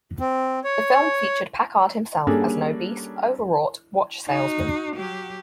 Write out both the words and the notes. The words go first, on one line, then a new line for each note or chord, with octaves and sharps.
The film featured Packard himself as an obese, overwrought watch salesman.
C4
C#5
G3 A#3 C#4 D4 G#4 A4
D#4 F#4
F#3 G4